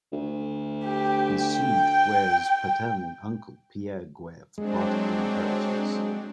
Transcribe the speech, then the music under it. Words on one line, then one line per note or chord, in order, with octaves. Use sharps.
He sued Guerre's paternal uncle Pierre Guerre for part of the inheritance.
D2
G4
G5
F#3 G#3 C4 D4